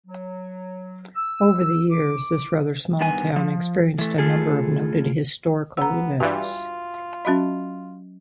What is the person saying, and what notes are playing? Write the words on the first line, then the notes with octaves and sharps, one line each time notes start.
Over the years, this rather small town experienced a number of noted historical events.
F#3
E6
D6
G2 D#3 B3 G#5
F3
E3 A3
A3 F4 G#4 A4
B3 A#5 E6
G2 E3 G3 F4 F#4
F#3 C#4 F#4 D#5 E5 B5